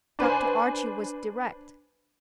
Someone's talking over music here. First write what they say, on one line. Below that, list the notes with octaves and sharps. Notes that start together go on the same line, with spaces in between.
Dr. Archie was direct.
D4 B4 C5 G#5